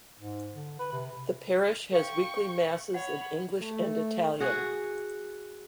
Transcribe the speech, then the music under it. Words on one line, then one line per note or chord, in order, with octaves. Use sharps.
The parish has weekly masses in English and Italian.
G#2
D3
B4
C3
A4 F5 G5 C#6
C#5 F#5 B5
A3
F#4 G#4